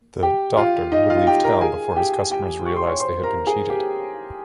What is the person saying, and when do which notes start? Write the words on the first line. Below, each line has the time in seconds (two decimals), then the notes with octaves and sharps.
The "doctor" would leave town before his customers realized they had been cheated.
0.23 G4 G5
0.57 F4 F5
0.92 D#4 D#5
1.10 F4 F5
1.27 G4 G5
1.44 A#4 A#5
1.61 G#4 G#5
1.96 G4 G5
2.31 G4 G5
2.66 C#6
2.76 C6
2.87 C#5 C#6
3.00 C5 C6
3.23 A#4 A#5
3.47 G#4 G#5
3.70 G4 G5